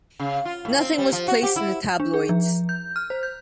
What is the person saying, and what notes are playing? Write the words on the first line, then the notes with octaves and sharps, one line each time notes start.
Nothing was placed in the tabloids.
C#3
F4
A2
C4
G3
F3
F#4
G4
E4
D4
G#4
F3
G6
F6
C5
G6